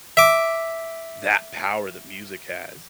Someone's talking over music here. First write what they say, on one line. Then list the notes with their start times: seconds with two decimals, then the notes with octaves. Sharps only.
that power that music has.
0.17 E5 D6